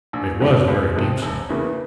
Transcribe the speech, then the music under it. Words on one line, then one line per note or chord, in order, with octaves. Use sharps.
It was a very deep snow.
A#1
G#2 F3 G#3 C4
C#2
C3 F3 G#3
E1
E2 C#3 E3 A#3